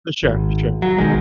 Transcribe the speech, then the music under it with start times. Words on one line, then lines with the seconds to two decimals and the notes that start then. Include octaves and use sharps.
For sure. For sure.
0.23 G#1
0.82 F#3
0.98 B1 D#3 G#3